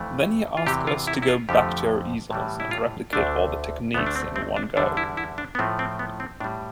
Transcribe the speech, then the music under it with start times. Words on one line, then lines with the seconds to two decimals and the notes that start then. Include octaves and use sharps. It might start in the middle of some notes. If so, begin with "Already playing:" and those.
Then, he asked us to go back to our easels and replicate all the techniques in one go.
Already playing: F2 E3 A3
0.57 F4
0.67 E2 C3 E3 G4
0.87 F4
1.07 E4
1.22 E4
1.28 F4
1.49 F2 D3 F3 A3 G4
2.31 A2 E3 G3
2.60 E4
2.71 F4
3.13 D2 D3 A3 D4
3.94 D2 D3 A3 B3
4.06 D4
4.16 C4
4.36 C4
4.56 D4
4.77 E2 D3 G3 D4
4.97 E4
5.17 E4
5.38 D4
5.55 B3
5.59 A2 F3 A3 C4
5.79 C4
5.99 B3
6.20 C4
6.40 A2 D4
6.44 G3